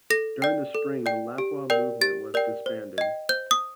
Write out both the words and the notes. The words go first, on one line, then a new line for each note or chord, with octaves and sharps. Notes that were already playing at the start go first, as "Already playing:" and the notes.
During the spring the Lapua Movement was disbanded.
A4 A#6
D5 G5
A4
D5 G5
G4
A#4 D5 G5
G4 A6
A#4 D5 G5
C5
D#5 G5
C5 G6
D#6